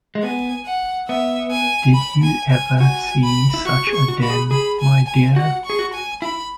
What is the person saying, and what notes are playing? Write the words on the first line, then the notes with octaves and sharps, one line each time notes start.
'Did you ever see such a den, my dear?
G#3
B3 G#5
F#5
B3 E5
G#5
B5
G#5
G#5
F#4 G#5
B5
E4
F#4 C#6
G#4
C#6
F#4
F#4 B5
G#4
G#4 B5
G#5
G#5
F#4 F#5
G#4 C#6
F#4
G#5
E4 B5